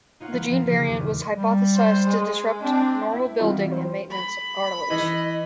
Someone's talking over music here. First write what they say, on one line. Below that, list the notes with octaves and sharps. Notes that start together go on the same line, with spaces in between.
The gene variant was hypothesized to disrupt normal building and maintenance of cartilage.
D#4 F4 C#5 F#5
F3 B3 D#4 F4
F3 F4 A#4
C#3 F3 G4 G#4
D#1 E2 D6 F6
G3
C5
G#3
C4 D4
E4
C3 E3 F#3 G3 D#4 F4 F#4
C5
B5
E3 D#5